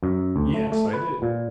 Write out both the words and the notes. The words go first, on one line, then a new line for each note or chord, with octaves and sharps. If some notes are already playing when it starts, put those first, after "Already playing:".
"Yes, I did."
F#2
D2
A3
A3
B4
A#2